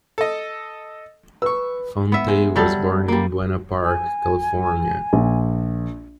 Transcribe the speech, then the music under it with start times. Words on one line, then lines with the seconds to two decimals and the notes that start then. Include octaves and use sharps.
Fonte was born in Buena Park, California.
0.18 A4 D#5
1.42 B4 C#6 E6
2.12 B3 E5
2.28 G#3
2.56 F#3 G3 A4
3.08 G3 A#3
3.84 G#5
5.13 A#1